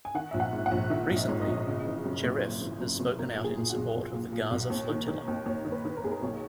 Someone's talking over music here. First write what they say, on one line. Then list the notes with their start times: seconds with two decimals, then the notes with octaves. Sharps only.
Recently, Cherif has spoken out in support of the Gaza Flotilla.
0.05 G#5
0.15 D#3 F#5
0.31 A#1 E5
0.40 F#5
0.53 G#2
0.66 F#5
0.71 A#1
0.90 D#3 E5
1.10 A#1
1.16 D#5
1.28 G#2 C#5
1.42 D#5
1.48 A#1
1.67 C#3
1.85 E3
2.05 F#2
2.23 F#1
2.42 C#3
2.61 E3
2.80 F#2
3.00 F#1
3.19 B1 A#4
3.37 A#2
3.44 G#4
3.57 A#2
3.70 F#4
3.76 B1
3.95 B1
4.14 A#2
4.32 A#2
4.51 B1
4.70 D#2
4.89 D#3
5.08 D#3
5.28 D#2
5.46 D#2 C#5
5.65 D#3
5.72 B4
5.85 D#3
5.97 A#4
6.04 D#2 G#4
6.11 A#4
6.22 B1 C#5